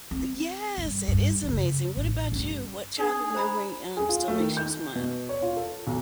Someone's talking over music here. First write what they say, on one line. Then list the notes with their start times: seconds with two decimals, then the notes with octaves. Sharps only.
Yes! It is amazing, what about you? What childhood memory, um, still makes you smile?
0.11 C4
0.78 G2
1.08 G2
1.43 F#2 C#3
1.97 A1
2.32 G2 C#4
2.99 D4 D#4 G#4
3.35 C5 A#5 B5
3.97 G#4
4.09 F4
4.28 A3
4.40 D#3
4.57 G6
4.96 B2
5.29 C#5
5.42 F4
5.57 A4
5.87 B1